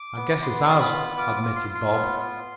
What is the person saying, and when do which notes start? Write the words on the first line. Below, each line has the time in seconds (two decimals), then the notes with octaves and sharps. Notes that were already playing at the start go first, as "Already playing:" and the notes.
"I guess it has," admitted Bob.
Already playing: D6
0.16 B3
0.42 B3 C6
0.68 F4 C6
0.80 B5
0.93 B3
1.17 F4 D6
1.36 D6
1.43 F4
1.56 C6
1.69 F4
1.75 C6
1.94 B3
2.19 F4